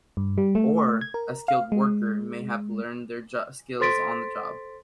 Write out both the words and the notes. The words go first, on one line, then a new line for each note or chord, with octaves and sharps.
Or, a skilled worker may have learned their skills on the job.
G2
G3
A3
G#6
A#4
F5
G#3
A4 C5 C6 A6 B6 D7